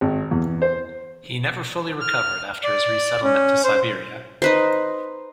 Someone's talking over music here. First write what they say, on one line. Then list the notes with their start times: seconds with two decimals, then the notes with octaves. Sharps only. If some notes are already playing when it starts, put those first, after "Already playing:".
He never fully recovered after his resettlement to Siberia.
0.01 G#1
0.31 E2
0.62 C5
2.01 F6
2.63 D5
3.23 C#4
3.64 C5
4.42 D#4 B4 C5